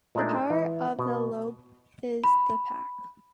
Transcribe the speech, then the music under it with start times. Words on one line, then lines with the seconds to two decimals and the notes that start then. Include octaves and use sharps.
The Power of the Lobo is the Pack.
0.15 A#2 G#3 A3 D4 D#4
0.50 E3
0.99 B2
2.24 B5